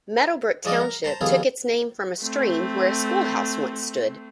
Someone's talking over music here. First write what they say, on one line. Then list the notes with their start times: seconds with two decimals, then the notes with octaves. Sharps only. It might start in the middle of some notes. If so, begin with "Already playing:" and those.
Meadow Brook Township took its name from a stream where a schoolhouse once stood.
0.65 F3 G#3 D5 D#5 F5
0.81 A#4
1.04 C5 A5 A#5
1.21 D#2 F3 B3 G#4 A4 F5
2.22 A3 C4